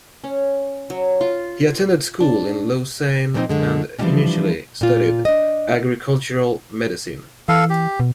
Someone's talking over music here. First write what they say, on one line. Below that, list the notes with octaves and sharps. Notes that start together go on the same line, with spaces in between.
He attended school in Lausanne, and initially studied agricultural medicine.
C#4
F#3
F4
D4
A#2 F3 A#3 C4 D4 D#4
F#2 D3 G#3
E3 F3 G3 A3 C#4 D4
A#2 F4
D4 D#5
E3 A4 F5
G4
B2